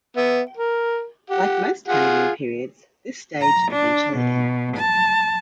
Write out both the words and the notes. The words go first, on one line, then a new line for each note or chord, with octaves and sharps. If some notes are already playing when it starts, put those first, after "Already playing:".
Like most honeymoon periods, this stage eventually ends.
B3 E5
A#4
G4 F#5
F4 G#4 F#5
A#5
D4
B2
A5